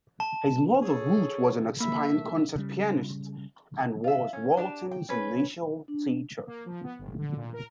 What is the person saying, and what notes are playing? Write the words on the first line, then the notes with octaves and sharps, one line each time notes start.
His mother Ruth was an aspiring concert pianist, and was Walton's initial teacher.
A5
G#4 A4 C#5
A#3 E5 B5
A3
C#3 G3
F4 E5
C#4
D4 G4 A5
G5
C#4 B4
D4
A#3
F3
B3
G1
D3
A#2
A#4